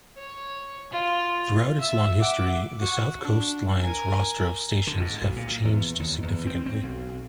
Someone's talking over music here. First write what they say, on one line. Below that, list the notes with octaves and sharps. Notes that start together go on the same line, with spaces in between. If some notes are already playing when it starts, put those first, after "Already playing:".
Throughout its long history, the South Coast Line's roster of stations have changed significantly.
C#5
F4
E5 E6
E5 F#5 D6 D7
F#4
D4
A#4 G#5
D3
G#2
B1
A#2
E2
D#2
E2
C4
C4
B1